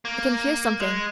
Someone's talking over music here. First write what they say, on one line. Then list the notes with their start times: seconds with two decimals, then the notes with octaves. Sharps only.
"I can hear something!"
0.05 A#3
0.80 G#3